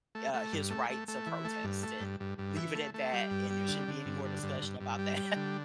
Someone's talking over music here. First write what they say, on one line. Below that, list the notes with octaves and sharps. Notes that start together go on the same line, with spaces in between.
uh, his rights of protest and leave it at that, and there shouldn't be any more discussion about that.
A3
A3
G2
A3
A3
A3
E3
A3
G2
A3
G2
G2
G2
E3
A3
A3
G3
G2
G3
D3
D3
G2
D3
G2
G2
G2
G3
G3
D3